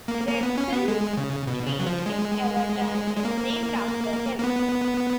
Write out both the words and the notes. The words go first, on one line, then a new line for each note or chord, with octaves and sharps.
Gregson Street in Everton is named after him.
A#3
A#3
B3
C#4
B3
G#3
C#3
B2
C#3
F#3
F3
G#3
G#3
A#3
A#3
B3